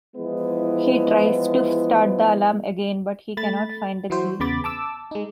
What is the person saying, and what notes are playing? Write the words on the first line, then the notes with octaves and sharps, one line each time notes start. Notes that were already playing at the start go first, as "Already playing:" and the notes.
He tries to start the alarm again, but he cannot find the key.
E3 F3 G#3 B3 E4
A3 B5 A6
E3 F#3 E4 F#4 C5
E2 C#3 B3 B5 D6 A6
A5 D6 E6
G#3 D#4